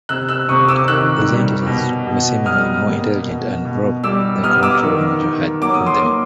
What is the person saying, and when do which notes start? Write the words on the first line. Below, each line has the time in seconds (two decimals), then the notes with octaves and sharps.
These entities were seemingly more intelligent and broke the control Mojo had on them.
0.09 C3 E6 F#6
0.29 E6 F#6
0.49 C3 C#6 D#6
0.68 D6 E6
0.88 D#3 E6 F#6
1.27 G3
1.66 B2
2.07 B2
2.45 G3 D#6 F6
2.85 A#3
3.25 B2
3.65 B2
4.03 G3 D6 E6
4.44 B3 D#6 F6
4.62 D6 E6
4.83 D#3
5.23 D#3
5.62 F#3 D6
5.74 D#6
5.86 C6 D6
6.01 A#3